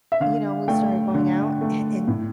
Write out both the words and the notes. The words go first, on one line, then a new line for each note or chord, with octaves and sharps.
you know, we started going out a and
E5
D3 F5
A3 G5
D3
A3
A2